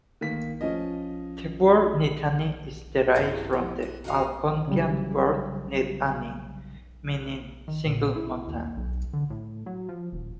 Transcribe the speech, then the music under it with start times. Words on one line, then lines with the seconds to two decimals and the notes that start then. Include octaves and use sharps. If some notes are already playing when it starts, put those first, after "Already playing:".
The word "Nittany" is derived from the Algonquian word "Nit-A-Nee" meaning "single mountain".
0.21 D#3 A#3 B6
0.61 F3 C#4 D#5
3.14 G2 C3 D#3 A#3 E4
3.53 F3
3.82 B3
4.04 G2 D#3 F#4 C#5 D#5 F5
4.68 C#3 F#3 G3
7.68 D#3
7.87 A#2
8.16 E4
8.47 D#2
8.77 B1
9.13 D3
9.30 A2
9.66 F#3
9.89 F3
10.12 D#1